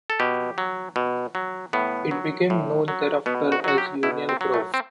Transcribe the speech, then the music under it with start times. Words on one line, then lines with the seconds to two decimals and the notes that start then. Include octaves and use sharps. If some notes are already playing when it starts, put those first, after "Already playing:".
It became known thereafter as Union Grove.
0.10 A4
0.20 B2 G4
0.58 F#3
0.96 B2
1.35 F#3
1.73 A2 B3
2.11 F#3
2.50 A2
2.88 F#3
3.26 B2 B3
3.52 F#4
3.64 F#3 F#4
3.78 G4
4.03 B2 E4
4.29 C4
4.41 F#3
4.54 A3
4.74 C4